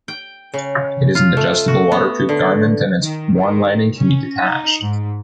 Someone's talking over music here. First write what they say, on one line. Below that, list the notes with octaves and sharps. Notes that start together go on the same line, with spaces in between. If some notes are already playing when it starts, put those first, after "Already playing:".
It is an adjustable waterproof garment and its warm lining can be detached.
G5
C#3
F4
A3
F#4
B3
D3
D#3
D#3
C#4
D#4
G#2